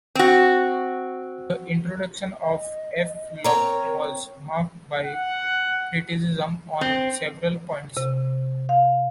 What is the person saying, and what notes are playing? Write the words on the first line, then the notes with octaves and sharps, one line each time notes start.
The introduction of F-Lock was marked by criticism on several points.
C4 F#4
D#5
C4 A#4 C#5 A#5
F#5
C4
C3
F5